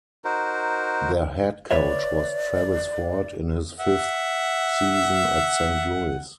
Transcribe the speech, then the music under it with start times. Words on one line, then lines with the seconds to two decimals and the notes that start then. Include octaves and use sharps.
Their head coach was Travis Ford in his fifth season at Saint Louis.
0.25 D#4 F#4 A#4 C5
1.71 B4 C#5 D5 E5
3.80 E5 F#5